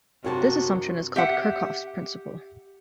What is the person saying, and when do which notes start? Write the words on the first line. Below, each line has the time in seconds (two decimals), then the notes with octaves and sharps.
This assumption is called Kerckhoffs's principle.
0.24 F#2 C3 D#3 D4 F4 F#4 G#4 A5
1.16 G4 E5 F#5